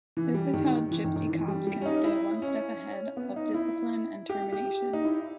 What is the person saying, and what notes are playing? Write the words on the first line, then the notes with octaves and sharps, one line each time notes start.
This is how gypsy cops can stay one step ahead of discipline and termination.
E3
G3
D#3
E3
D#3
D#3
E3
G3
G3
C#4
D#4
E4
C#4
B3
D#4
E4
G4
G4
D#4
E4